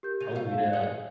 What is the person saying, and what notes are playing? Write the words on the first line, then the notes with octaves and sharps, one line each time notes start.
Oh, yeah.
G4 A#4 G6
C#3 D#7 F7
A3 F4
F5 F#5 G#6
G#4 C#7